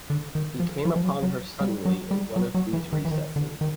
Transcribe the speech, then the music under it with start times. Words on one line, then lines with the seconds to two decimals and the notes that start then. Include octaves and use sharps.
He came upon her suddenly in one of these recesses.
0.10 D3
0.35 D#3
0.60 F3
0.85 F3
0.96 F3
1.04 F#3
1.23 F#3
1.61 G3
1.85 F#3
2.11 G3
2.36 F#3
2.55 F#3
2.73 E3
2.93 D#3
3.05 E3
3.11 D#3
3.36 D3
3.61 D#3